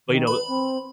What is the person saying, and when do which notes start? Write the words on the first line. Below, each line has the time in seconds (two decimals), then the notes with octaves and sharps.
but, l you know,
0.08 D#3
0.27 B4 B5
0.48 C4